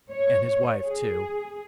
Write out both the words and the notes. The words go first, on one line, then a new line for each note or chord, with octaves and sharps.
And his wife, too....
C#5
G#4